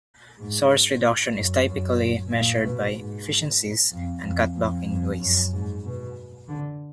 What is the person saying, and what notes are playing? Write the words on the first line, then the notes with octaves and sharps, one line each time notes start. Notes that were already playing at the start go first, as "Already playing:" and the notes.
Source reduction is typically measured by efficiencies and cutbacks in waste.
G#2
F#2
F#2
A#2
B2
G#2
F2
F2
F2
F2
F#2
G#2
B2
D3